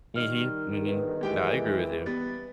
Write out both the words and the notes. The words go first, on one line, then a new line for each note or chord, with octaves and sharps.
Mhm, mhm. No, I agree with you.
D#3 G3 F6
G1 G#4 B4
E3 G#3 G4 G5
G3 B3 A6